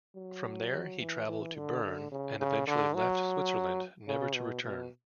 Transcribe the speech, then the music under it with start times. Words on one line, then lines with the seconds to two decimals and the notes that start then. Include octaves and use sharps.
From there, he travelled to Bern and eventually left Switzerland, never to return.
0.16 F#3
0.99 E3
1.27 E3
1.55 D3
1.84 D3
2.12 C#3
2.40 C#3
2.67 D3
2.95 F#3
4.08 C#3
4.35 B2
4.64 B2